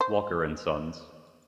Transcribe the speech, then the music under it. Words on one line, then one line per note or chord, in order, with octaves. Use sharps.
Walker and Sons.
C5